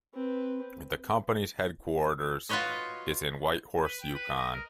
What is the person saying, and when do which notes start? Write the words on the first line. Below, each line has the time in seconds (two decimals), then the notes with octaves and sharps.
The company's headquarters is in Whitehorse, Yukon.
0.14 C4 B4
2.49 F4 F#4 B4 C#5 D#5
3.84 B4
4.02 G5
4.15 B4
4.37 D#5
4.52 A#4